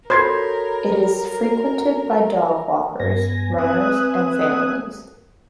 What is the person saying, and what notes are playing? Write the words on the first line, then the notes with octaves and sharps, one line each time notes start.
It is frequented by dog walkers, runners and families.
F#4 A4 A#4 C5 C#5 B5 G#6 C7
G2 B3 G#5 A#6
C4 B4 E5 G#5 D#6 F#6